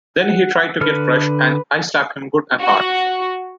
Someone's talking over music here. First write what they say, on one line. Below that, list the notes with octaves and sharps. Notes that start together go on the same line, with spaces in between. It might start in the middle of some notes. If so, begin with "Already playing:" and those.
Then he tried to get fresh, and I slapped him good and hard.
F#5
D3 A4 B4 F6
F#4